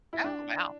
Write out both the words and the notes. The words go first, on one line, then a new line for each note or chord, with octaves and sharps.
Oh! Wow.
E4
D4